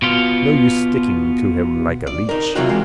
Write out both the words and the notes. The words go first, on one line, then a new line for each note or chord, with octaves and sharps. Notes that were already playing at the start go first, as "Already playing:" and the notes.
No use sticking to him like a leech.
B2 B3 F4
D5
D#4 A#4
C3 F#3 A#3 F4 F#4
E2 G#3 A#3